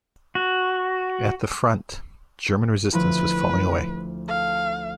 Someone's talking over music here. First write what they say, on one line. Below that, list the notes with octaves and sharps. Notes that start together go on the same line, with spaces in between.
At the front, German resistance was falling away.
F#4
D2 F3 E4 B4
A4 F5